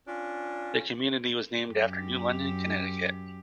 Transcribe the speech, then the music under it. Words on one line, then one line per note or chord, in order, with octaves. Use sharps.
The community was named after New London, Connecticut.
C#4 D4 F4
F#2 G4